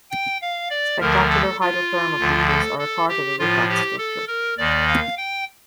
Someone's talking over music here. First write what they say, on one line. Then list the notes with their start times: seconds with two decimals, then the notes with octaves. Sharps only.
Spectacular hydrothermal features are a part of the Richat Structure.
0.11 G5
0.41 F5
0.70 D5
1.01 D2 D3 F3 A#4
1.30 A4
1.60 F4
2.19 D2 D3 F3
2.49 A4
2.79 A4
3.09 G4
3.39 A2 F3 F4
3.68 G4
3.98 A4
4.27 A#4
4.58 D#2 D#3 D5
4.88 F5
5.17 G5